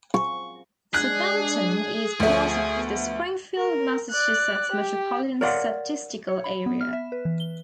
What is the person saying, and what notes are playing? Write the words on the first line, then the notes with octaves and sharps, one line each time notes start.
Southampton is part of the Springfield, Massachusetts Metropolitan Statistical Area.
C#6
G#3 D4 G#4 F#6
D2 F3 A3
F3 B3
A#4
D5 F#6
G4
A#4 C#5 D5 F5 F#5 C6
C#5
B5
B3
F6
E5
B4
E3
G7